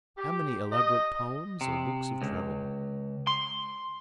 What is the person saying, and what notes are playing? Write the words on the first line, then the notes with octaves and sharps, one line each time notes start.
How many elaborate poems or books of travel?
G4
D#5
C3
C#2
C6